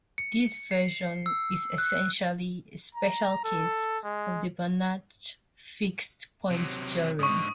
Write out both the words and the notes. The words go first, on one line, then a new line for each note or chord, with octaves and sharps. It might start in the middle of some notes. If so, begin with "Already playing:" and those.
This version is essentially a special case of the Banach fixed point theorem.
C#7
C7
E6
F#6
A#5
A4
G#3
C3 F#3
G#2 D3 C#6 D#6